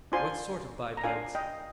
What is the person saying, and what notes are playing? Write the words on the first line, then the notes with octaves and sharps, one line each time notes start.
"What sort of bipeds?"
D4 F4 C5 G#5 C6
A#5
D4 F4 A#4 F5 G#5
D#5 G5